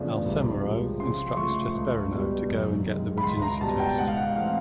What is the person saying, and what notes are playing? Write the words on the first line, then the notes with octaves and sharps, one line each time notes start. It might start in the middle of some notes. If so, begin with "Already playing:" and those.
Alsemero instructs Jasperino to go and get the virginity test.
Already playing: E2 C#3 F3 A3 D4
C2
C3 F3 G#3
C#3 C6
C6
F3 A3 C#6
C#2
B2 G3
F#2
D#3 G#3
B5
C#2 C6
A#5
B2 G3 A5
G5
G#2 F#5
F5
F#5
E3 A3 C4 F5